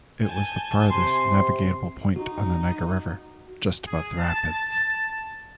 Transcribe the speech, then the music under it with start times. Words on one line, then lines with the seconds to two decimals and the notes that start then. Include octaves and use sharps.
It was the farthest navigable point on the Niger River, just above the rapids.
0.25 G#5 A5 G6
0.91 C3 C6
2.16 D#4 F#4
3.87 G#4
4.18 A5